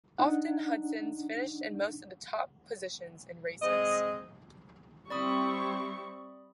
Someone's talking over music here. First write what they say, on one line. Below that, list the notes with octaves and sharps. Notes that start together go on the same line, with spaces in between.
Often Hudsons finished in most of the top positions in races.
D4 D#4 F#5
G#3 C4 D#5
G3 C4 E4 D5 B5 C#6 D#6